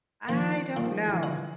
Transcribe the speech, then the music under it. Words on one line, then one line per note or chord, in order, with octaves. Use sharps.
I don't know.
D#3 F3 A#3
D#3 F3 A#3
D3 E3
F3